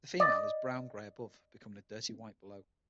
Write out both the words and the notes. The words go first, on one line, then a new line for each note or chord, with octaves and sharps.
The female is brown-grey above, becoming dirty white below.
D5 D#5